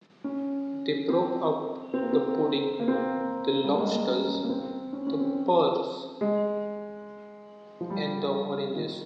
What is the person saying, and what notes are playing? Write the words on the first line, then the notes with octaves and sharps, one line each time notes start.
They broke up the pudding, the lobsters, the pears, and the oranges.
C#4
C4
C4
A#3
C4
A#3
C4
A#3
G3
A#3
G#3
A#3
C#4
A#3
A#3
C4
C#4
C#4
C4
G#3
F3
G3
D#3